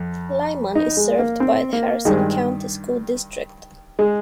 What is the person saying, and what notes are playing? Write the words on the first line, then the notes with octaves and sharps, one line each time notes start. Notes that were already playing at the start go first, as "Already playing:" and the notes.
Lyman is served by the Harrison County School District.
Already playing: F2
D#4
G#3
A#3
C4
A#3
G2 D#3 G#3
G#3